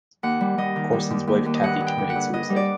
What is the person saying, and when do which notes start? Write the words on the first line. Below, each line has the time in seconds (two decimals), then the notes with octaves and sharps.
Courson's wife Cathy committed suicide.
0.23 D#2 F#5
0.41 G3
0.58 G3 D#5
0.76 D#3
0.92 G3
1.10 D#2
1.27 D#2
1.46 D#2
1.54 D#5
1.63 G2 F#5
1.80 G2
1.87 G5
1.98 D3
2.09 F#5
2.15 G2
2.33 G2 D#5
2.50 G3
2.56 D5